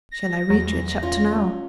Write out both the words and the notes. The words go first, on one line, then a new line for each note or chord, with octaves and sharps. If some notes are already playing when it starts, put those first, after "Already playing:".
'Shall I read you a chapter, now?'
A#6
E2 F#3
C#4 F4